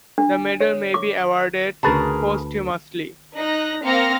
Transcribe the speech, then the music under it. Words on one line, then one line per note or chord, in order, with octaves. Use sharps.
The medal may be awarded posthumously.
D4
C#5
D6
D2 C#3 G#4 A#4 B4 A5
D#4 F#6 A#6
A#3 C4 F5 F6 A#6 C#7